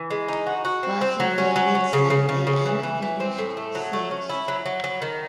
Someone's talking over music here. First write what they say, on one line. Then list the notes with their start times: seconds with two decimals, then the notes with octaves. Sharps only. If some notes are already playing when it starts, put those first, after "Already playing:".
But he faded slightly and finished sixth.
Already playing: E3
0.10 G#3
0.28 D#4
0.46 F#4
0.65 F#4
0.83 C4
1.01 C4
1.20 F#3
1.38 C#4
1.56 F#3
1.75 C#4
1.93 C#3
2.10 C#3
2.29 C#3
2.47 C#3
2.65 E3
2.83 E3
3.02 E3
3.20 C4
3.38 A2
3.57 A3
3.75 F#3
3.93 A3
4.11 C#4
4.29 E4
4.48 F#3
4.66 F#3
4.84 F#3
5.02 D#3